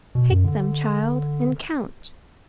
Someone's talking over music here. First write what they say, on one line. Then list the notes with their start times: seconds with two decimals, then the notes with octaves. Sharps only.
Pick them, child, and count.
0.15 B2
0.30 F#2
0.44 D3